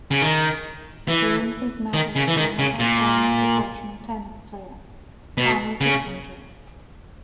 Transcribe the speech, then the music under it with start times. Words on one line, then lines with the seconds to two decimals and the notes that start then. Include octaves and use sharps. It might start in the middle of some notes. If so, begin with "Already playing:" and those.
Jones is married to another former professional tennis player, Tami Whitlinger.
0.11 C#3
0.22 D#3
1.08 E3
1.94 D#3
2.16 C#3
2.28 E3
2.37 D#3
2.59 C#3
2.79 A#2
5.38 B2
5.81 C#3